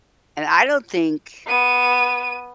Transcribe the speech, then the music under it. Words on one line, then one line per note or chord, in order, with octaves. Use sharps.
and I don't think
B3 D#7